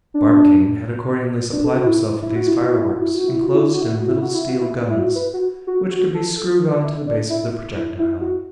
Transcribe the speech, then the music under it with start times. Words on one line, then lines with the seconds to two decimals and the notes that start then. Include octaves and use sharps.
Barbicane had accordingly supplied himself with these fireworks, enclosed in little steel guns, which could be screwed on to the base of the projectile.
0.14 D4
1.52 D4
1.64 A4
1.76 F#4
1.86 E4
2.22 E4
2.35 F#4
2.48 E4
2.62 F#4
2.74 E4
2.88 F#4
3.02 E4
3.15 F#4
3.28 E4
3.42 F#4
3.54 E4
3.68 F#4
3.82 E4
3.95 F#4
4.09 E4
4.22 F#4
4.35 E4
4.49 F#4
4.62 E4
4.90 E4
4.99 F#4
5.15 B4
5.33 F#4
5.67 F#4
5.91 F#4
6.14 A4
6.36 A4
6.83 E4
7.06 D4
7.29 E4
7.76 E4
7.99 E4
8.21 F#4